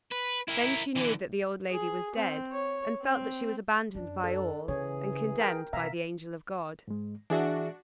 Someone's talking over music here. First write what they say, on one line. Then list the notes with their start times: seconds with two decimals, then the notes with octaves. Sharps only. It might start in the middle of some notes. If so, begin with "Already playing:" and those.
Then she knew that the old lady was dead, and felt that she was abandoned by all, and condemned by the angel of God.
0.11 B4
0.48 E4 A#4
0.96 D3 E3
1.71 G#4
2.16 C4
2.53 C#5
3.03 C4
3.95 F#2 D4
4.24 A4
4.68 C#3 E3 G#4 C#5
5.38 A#4 G5
5.73 F#2 C3 E5 F5 G#5 A#5
6.88 G#2 G#3
7.30 E3 D4 F#4 G#4 E5